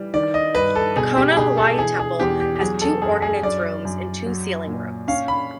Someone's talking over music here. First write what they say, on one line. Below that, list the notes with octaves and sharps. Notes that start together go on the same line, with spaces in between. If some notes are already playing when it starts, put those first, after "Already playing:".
The Kona Hawaii Temple has two ordinance rooms and two sealing rooms.
Already playing: E3 G3
D#3 D5
D#5
G2 B4
A4
B2 G#4
G4
B2 G#4
A4
E3 G#4
G#4
E2 G4
G4
G4
F#3 G#4
A4
F#2 G#4
G#4
F#2 D5
F#2
F#3
A#2
C#4 F5
B5